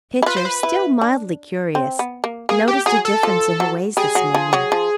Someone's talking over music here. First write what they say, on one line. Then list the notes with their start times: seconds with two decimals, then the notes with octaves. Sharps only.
Pitcher, still mildly curious, noticed a difference in her ways this morning.
0.22 E4
0.26 F4 B4
0.37 C5
0.45 B4
0.63 E4
1.01 D4
1.75 C4
1.99 B3
2.24 A#3
2.49 A#3 G#4
2.68 G4
2.86 F#3 G#4
3.05 A4
3.23 F3
3.60 F#3
3.97 G3 G#4
4.15 F#3
4.34 F3
4.53 F#3
4.72 F3